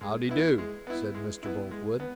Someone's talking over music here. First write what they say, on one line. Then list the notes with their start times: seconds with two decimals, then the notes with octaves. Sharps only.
"How dee do," said Mr. Boltwood.
0.01 G#3
0.29 B3 E4
0.58 G#3
0.87 B3 E4
1.15 G#3
1.43 B3 E4
1.71 G#3
2.00 B3